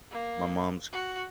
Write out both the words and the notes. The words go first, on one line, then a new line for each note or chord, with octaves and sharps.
my mom's
A#3
F#4